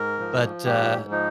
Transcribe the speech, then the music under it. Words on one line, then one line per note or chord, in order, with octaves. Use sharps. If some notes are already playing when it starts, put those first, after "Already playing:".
but, uh
Already playing: G#2 A#4
F3
G#2 G4
F3 D#4